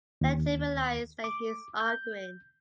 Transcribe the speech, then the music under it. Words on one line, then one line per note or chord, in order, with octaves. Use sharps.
Let him realize that he is arguing.
D#2
D6
G6